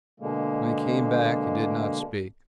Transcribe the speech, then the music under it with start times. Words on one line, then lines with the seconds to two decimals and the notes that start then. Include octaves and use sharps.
When he came back, he did not speak.
0.20 B2 D3 G#3 A#3